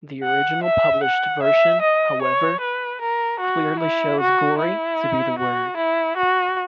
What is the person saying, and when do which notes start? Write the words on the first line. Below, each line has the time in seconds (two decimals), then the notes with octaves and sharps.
The original published version, however, clearly shows "gory" to be the word.
0.23 F#5
0.63 E5
1.03 F#5
1.42 E5
1.82 D#5
2.22 C#5
2.60 B4
3.01 A#4
3.40 F#4
3.79 E4
4.20 F#4
4.58 E4
5.39 F#4
5.77 E4
6.17 F#4